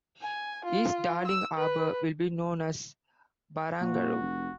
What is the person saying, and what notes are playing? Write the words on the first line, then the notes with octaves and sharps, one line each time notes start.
East Darling Harbour will be known as Barangaroo.
G#5
F4
E6
B4
A#2 F#4
F1